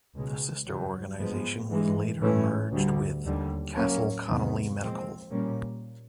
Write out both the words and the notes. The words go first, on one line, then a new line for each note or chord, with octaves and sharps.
The sister organization was later merged with "Castle Connolly Medical".
C#2 B2 G#3
E2 C#3 F#3
G#2 F3 G#3 B3
G2 E3 G#3
A2 E3 A3 C#4
D2 D3 G3
D#2 D3 G3
A2 F#3 A#3 C#4
E2 C3 D#3 F#3 B3
A#2 F3 G#3 C4
A#2 G3 A#3 C#4